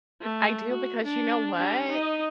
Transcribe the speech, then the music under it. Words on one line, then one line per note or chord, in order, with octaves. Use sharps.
I do because you know what,
A3
F#4
D4
G3 D4
D#4 D#5